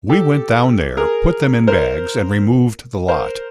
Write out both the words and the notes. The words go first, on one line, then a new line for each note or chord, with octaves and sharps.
We went down there, put them in bags and removed the lot.
G4 A4
G#4 A#4
A#4 C5
A#4 C5